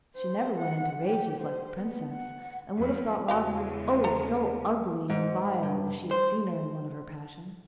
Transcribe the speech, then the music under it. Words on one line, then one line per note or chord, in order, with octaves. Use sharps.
She never went into rages like the princess, and would have thought Rosamond--oh, so ugly and vile! if she had seen her in one of her passions.
C5
F#5
G4
C5
B3
F#5
F2
E2 C#3 G#3 F#4 G4 F5
A4 A#5
G#2
G2
C5